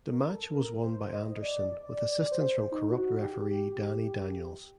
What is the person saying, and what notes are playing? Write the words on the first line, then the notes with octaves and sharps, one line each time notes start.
The match was won by Anderson with assistance from corrupt referee Danny Daniels.
A#4
A4
A#4
C5
D#5
D5
D5
D5
D5
C5
D#4
F#4
G4